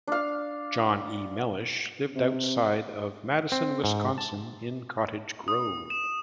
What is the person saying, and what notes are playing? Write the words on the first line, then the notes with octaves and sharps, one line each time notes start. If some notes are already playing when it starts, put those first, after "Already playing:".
John E. Mellish lived outside of Madison, Wisconsin in Cottage Grove.
D4 F5
C3
C4
G#2
A5
D#6
E7